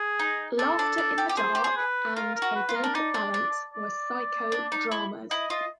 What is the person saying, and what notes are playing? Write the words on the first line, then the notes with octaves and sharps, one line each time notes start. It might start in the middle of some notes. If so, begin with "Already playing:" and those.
"Laughter in the Dark" and "A Delicate Balance" were psycho-dramas.
Already playing: G#4
D#4
D4 A4
D4
D4
G4
G4
G#4 C5
G4
G#4
B4
F4 A#4
A#4
F#4
B4
F4
A#4
D4
D#4 D5
D4
D4
D5
D4
D#4
E4
E4 D#5
F4 D#5